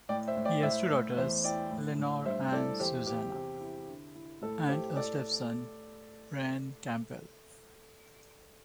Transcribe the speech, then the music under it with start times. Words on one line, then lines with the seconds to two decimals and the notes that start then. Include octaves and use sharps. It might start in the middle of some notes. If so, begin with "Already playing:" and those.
He has two daughters, Eleanor and Susannah, and a stepson, Brean Campbell.
0.09 A2 D5 G5
0.28 C5 E5
0.37 A2
0.45 D5 G5
0.63 A2 C5 E5
0.91 A2
1.17 E2 C5 E5
1.44 E4 D5 G5
1.71 A2
1.98 A2
2.25 G2 C5 E5
2.52 E4 A4 D5
2.80 E2 G4 C5
3.07 E2 G4
3.34 C3
3.61 E4
3.88 D3
4.15 E4
4.41 A2 A4
4.69 E4 G4 C5
4.96 A2 A4 D5